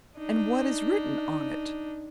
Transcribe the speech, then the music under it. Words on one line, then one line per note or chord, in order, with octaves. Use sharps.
"And what is written on it?"
D4 D#4